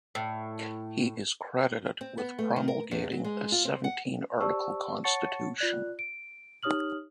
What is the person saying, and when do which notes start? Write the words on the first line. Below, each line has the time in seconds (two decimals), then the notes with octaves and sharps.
He is credited with promulgating a Seventeen-article constitution.
0.15 A2
2.01 C4
2.18 B3
2.38 A3
2.56 D#3
2.68 A#4
2.91 E2
3.12 F#3
3.24 G#3
3.52 F4
3.65 C4
3.84 F#5
4.41 G4 C5 D5 A5 C#6 E6
5.04 C#5 F#5 A5 C#6 A6 C#7
5.58 F4 D5 F#6
5.99 D7
6.63 D#4 G4 C#5 D#6 F6 F#7